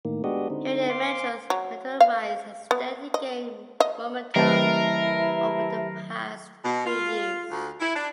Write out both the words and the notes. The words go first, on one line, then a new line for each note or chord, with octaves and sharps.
Harian Metro's meteoric rise has steadily gained momentum over the past few years.
A2 D#3 A#3
G#3 B3 D4 F#4 G4 D#5
D3 C4 D#4
C5 F5 C6 D6
F#3
F5
B3
D#5
D#5
D#3 F#3 E4 G4 A#4 B4 A5 C7
B2
F4
D2
E4
D4